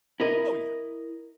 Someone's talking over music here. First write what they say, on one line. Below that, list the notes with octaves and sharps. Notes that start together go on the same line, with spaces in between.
Oh, yeah.
E4 A#4 D#5